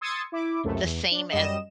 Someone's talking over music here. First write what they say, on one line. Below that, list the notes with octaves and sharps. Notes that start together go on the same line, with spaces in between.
the same as
C6 D#6 E6 G#6 A6 C#7
E4 D6
C#2 F#2 C3 A3
E2
D4
F#2 G3 D#5 E7